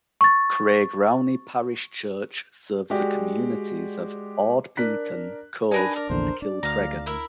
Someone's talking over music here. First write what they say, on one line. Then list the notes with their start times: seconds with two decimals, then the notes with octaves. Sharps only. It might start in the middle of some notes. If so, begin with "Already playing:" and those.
Craigrownie Parish Church serves the communities of Ardpeaton, Cove and Kilcreggan.
0.21 C#6 A6
2.90 G#3 F#4 G4 D5
4.77 D4 A#4 F#6 B6
5.71 D4 D#4 A#4 B4 G#5
5.96 A#4 D5
6.10 A#1 E2 D3 C5
6.42 D4 D5
6.63 D2 F5 A#5
7.06 E4 A#4 E5